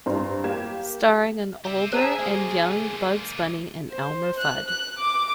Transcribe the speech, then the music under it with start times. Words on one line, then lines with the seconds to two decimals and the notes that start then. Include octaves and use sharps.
Starring an older and young Bugs Bunny and Elmer Fudd.
0.06 G2 C5 A#5
0.44 A#3 G4 G#6 E7
1.65 G4 E5
1.93 G#4 C5 E5 A5 A#5
2.19 G#3 A#3
3.90 C5
4.38 F#6
4.67 F#6
4.98 D6